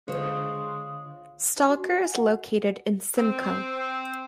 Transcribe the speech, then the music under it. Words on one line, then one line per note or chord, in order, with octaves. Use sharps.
Stalker, is located in Simcoe.
D3 G#3 F4 C5 C#5 F5 D#6
D#4
F#4
D#5
G#5
F#5
C4